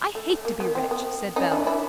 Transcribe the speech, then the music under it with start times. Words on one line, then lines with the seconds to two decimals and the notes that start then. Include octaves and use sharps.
"I hate to be rich," said Bell.
0.15 A3
0.30 A3
0.45 A#3
0.60 B3
0.75 C4
0.91 B3
1.36 C#4 D#4
1.52 D4 E4
1.66 D4 E4